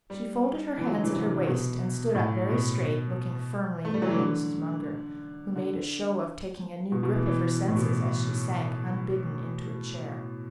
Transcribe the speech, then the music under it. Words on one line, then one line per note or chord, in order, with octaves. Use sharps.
She folded her hands at her waist, and stood up very straight, looking firmly at Mrs. Munger, who made a show of taking a new grip of her senses as she sank unbidden into a chair.
G3
E3
F#3
D3
E3
C3
D3
C3
B2
A2
B2
A3
G3
F#3
E3
D3
D3
B2
B2
E3
E3
A2
B2